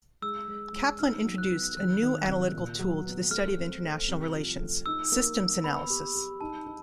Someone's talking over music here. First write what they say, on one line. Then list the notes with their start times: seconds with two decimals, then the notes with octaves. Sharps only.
Kaplan introduced a new analytical tool to the study of international relations, "systems analysis".
0.22 G#3 E6
0.48 G#3
0.73 G#3
0.99 D#4 F6
1.25 F#3
1.38 F#6
1.51 B3
1.77 D#3 F#6
2.03 D#3
2.28 C3
2.54 A#2
2.79 F#3
3.05 B3
3.31 A3 F6
3.58 C4
3.84 A3
4.08 C2
4.35 F3
4.60 A3
4.86 D#4 E6
5.12 A#3
5.38 A#3
5.64 B3 B5
5.90 G4
6.15 G4
6.41 D#4 A5
6.66 D#4